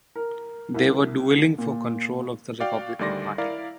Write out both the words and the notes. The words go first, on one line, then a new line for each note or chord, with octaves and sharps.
They were dueling for control of the Republican Party.
A#4
C2
A#2
F#4 D5 F5 G5
D2 D#3 G3 D5 C6 A#6
E4 A#4 D5 F5